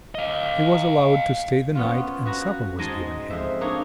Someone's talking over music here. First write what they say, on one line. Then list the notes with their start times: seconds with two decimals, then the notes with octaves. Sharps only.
He was allowed to stay the night, and supper was given him.
0.15 D#5 F5
1.75 B3 C#4 F4
2.25 B3 F#4 A#5 B5
2.79 G#2 G#3 D#5 G#5 A5 C6
3.30 F2 G#4 C5 E5
3.61 A#3 D4 D#4 G#4 C#5